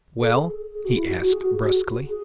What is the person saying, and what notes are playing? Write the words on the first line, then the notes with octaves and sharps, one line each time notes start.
"Well?" he asked brusquely.
A4
G#4
G#4
F#4
E4
F#4
F#4
G#4
F#4
G#4
F#4
G#4